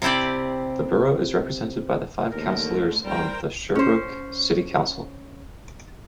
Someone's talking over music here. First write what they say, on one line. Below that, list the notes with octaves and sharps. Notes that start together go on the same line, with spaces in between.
The borough is represented by five councillors on the Sherbrooke City Council.
C3 C4 E4 G4 D5
D#2 D3 A3 A#4
D#1 G3 A#4 C5 G5
C#4 C5